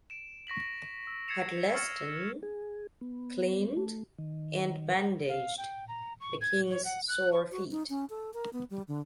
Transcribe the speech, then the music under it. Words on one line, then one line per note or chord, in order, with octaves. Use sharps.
Huddleston cleaned and bandaged the King's sore feet.
D7 E7
C#6 A#6 B6 F#7
E6
G#6 A6 C7 C#7 E7 F7
C#6 E6 F6 A6 C#7 E7
G#4
B3
A3
D#3
F5
G5
A#5
C#6
G#6
C#5
F#5
F#6
C#6
F#4
D#4
C#4
A4
A#4
B3
G3
D3